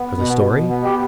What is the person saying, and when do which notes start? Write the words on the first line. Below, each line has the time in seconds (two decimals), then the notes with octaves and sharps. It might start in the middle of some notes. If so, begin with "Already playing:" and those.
For the story?
Already playing: B3
0.17 B2
0.43 B2
0.69 B3
0.84 G4